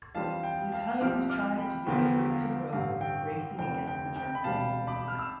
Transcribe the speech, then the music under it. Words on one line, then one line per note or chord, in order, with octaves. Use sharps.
The Italians tried to be the first in Rome, racing against the Germans.
F2 E3 G3 D4 F4 F5 A5
G5
F5 A5
C2 C3 F3 C4 D6 F6
D6 F6
G5 B5
E2 D3 F3 B3 F4 G5
F5
A1 G2 D3 F5
G5
F1 F2 D3 G5
G5
G5
B5
E1 D2 C3 G3 D4 F5 A5
B5 D6
F6
E6